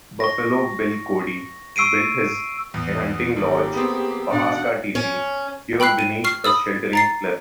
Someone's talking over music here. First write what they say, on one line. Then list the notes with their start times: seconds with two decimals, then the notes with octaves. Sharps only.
Buffalo Bill Cody built his hunting lodge, Pahaska Teepee, here beneath a sheltering cliff.
0.20 C#6 A#6
1.76 C#6 E6 C7 D7 D#7
2.74 E2
3.36 G#1 A#3 G4
3.74 B3 C4 G#4
4.32 B2 D4 F#4 D5 F5 F#5
4.95 C#4
5.80 G5 B5 E6 F#6 C7
5.99 D#7
6.24 C#6 F6 C7
6.44 B5 D#6 E6
6.93 A#5 A6 C7